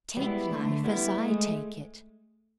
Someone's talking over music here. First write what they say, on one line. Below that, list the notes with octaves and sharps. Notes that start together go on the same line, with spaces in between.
Take life as I take it.
G3 G#3 B3 E4
D3 A3
G3 B3 E4
G#3 A3